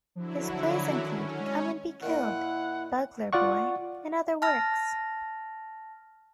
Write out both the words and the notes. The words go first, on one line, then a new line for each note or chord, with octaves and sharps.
His plays include "Come and Be Killed", "Buglar Boy" and other works.
D3 F3 F#3 E4
D#3 C#4
G#3
A#2 D#3 E4 F#5
F4 D5 F#5 C#6
A5 F6 A#6